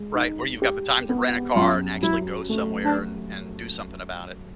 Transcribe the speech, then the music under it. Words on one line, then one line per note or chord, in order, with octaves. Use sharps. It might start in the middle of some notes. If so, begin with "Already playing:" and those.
Right, where you've got the time to rent a car, and actually go somewhere and and do something about it.
Already playing: G#3
D#4
G4
B3
F#2 F4
F#3 E4
A3
D4